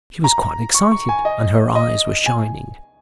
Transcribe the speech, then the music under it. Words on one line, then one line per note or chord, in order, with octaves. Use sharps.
She was quite excited, and her eyes were shining.
A#5
C#6
C#6
G#5
D#5
D#5
G#5